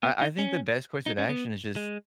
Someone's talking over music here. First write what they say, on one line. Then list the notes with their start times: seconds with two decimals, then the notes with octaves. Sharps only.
I I think the best course of action is just
0.03 B3
0.21 D#4
0.39 C#4
1.06 D#4
1.19 C#4
1.29 B3
1.76 G#3